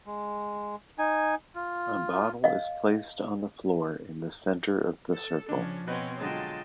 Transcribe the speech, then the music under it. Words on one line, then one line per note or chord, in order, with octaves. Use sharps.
A bottle is placed on the floor in the center of the circle.
G#3
D#4 G#5
F4
D#5 F5
A4
C#3 F3 C#4 D4
B2 C4 C#4 F#4 B4 D#5
D3 F#3 G#3 F4 D#5 G5 A5